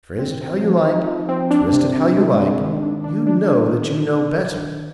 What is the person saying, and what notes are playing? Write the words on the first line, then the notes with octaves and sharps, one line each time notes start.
Phrase it how you like, twist it how you like, you know that you know better.
C4
C4
F3
D#4
F3
C4
D4
C3
C3
G#3
D4
D#3
D4
D4
D4
D4